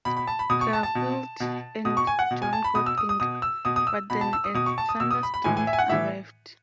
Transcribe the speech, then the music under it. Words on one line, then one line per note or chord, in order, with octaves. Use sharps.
Garfield and Jon got angry, but then a thunderstorm arrived.
B2 B5
B5
A5
B5
B2 D#6
C#6
A5
A5
B2
B2
B2 D#6
C#6
G#5
F#5
B2
G#5
A5
B5
B2 D#6
E6
D#6
D#6
B2 D#6
E6
B2 D#6
D#6
E6
B2 B5
A5
E6
D#6
B2 D#6
C#6
A5
D#6
B2 E6
D#6
B5
B5
A2 E3 G#5
G#5
E5
G#5
F#5
A2 E3 E5